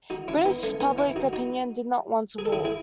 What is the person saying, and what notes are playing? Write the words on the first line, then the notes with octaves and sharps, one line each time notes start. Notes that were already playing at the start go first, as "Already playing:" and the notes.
British public opinion did not want a war.
D#4 F#4
C#4 E4
B3 D#4
A3 C#4
B3 D#4
C#4 E4
D#4 F#4
D#4 F#4
G#4
A4
E4 G#4
E4 G#4